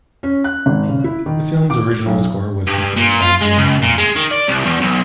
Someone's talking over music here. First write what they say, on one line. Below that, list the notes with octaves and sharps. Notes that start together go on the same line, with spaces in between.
The film's original score was composed by James Horner.
C#4
F#6
G#1
C#3
E4
D#3
D6
B1
G2
A#2
F4
G#3
C#2
A#2
G#3
D#3
D5
C2
E2
B1